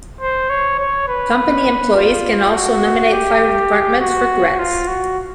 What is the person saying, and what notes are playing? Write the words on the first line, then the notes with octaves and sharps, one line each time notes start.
Company employees can also nominate fire departments for grants.
C5
C#5
C#5
B4
F4
F#4
G4
F#4
F4
F#4